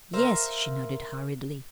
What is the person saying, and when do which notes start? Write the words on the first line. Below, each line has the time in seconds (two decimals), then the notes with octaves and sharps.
"Yes," she nodded hurriedly.
0.13 A#4 C5 E5 F5